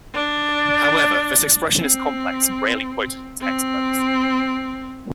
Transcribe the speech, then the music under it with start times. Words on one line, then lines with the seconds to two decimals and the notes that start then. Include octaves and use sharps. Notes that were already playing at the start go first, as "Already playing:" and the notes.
However, this expression is complex and rarely quoted in textbooks.
0.14 D4
1.77 C4
3.41 C4